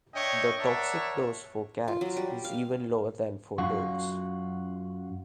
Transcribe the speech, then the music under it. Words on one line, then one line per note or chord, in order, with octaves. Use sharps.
The toxic dose for cats is even lower than for dogs.
D4 C#5 D#5 E5 G5 C#6
A#4 C#5 D5 E5 F#5 A5
F4
F#3
G3
F5
F#2 F4 F#4